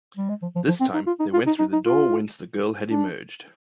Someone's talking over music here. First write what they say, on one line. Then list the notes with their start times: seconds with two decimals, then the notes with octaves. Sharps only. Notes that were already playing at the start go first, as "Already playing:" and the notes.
This time they went through the door whence the girl had emerged.
0.17 G3
0.29 G#3
0.42 F3
0.56 F3
0.68 F3
0.80 C4
0.94 D#4
1.07 F4
1.20 D#4
1.33 F4
1.47 D#4
1.59 D#4
1.73 D#4
1.85 F4
2.90 D4